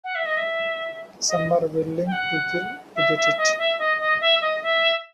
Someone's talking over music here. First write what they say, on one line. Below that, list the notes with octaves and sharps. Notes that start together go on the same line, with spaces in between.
Some are willing to kill to get it.
F#5
E5
D#5
E5
D#5
G5
F#5
E5
E5
D#5
E5
D#5
D#5
E5
D#5
E5